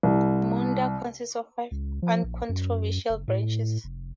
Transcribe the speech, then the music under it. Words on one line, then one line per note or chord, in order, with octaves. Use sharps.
Munda consists of five uncontroversial branches.
C2
C#2
F3
A#1
F#2
F#1
A2
F1